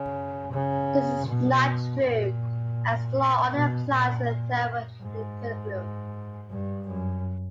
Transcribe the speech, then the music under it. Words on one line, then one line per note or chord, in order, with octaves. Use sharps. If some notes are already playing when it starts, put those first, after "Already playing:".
This is not true, as the law only applies in thermal equilibrium.
Already playing: C#3
C#3
B2
A#2
B2
A#2
G#2
G2
F#2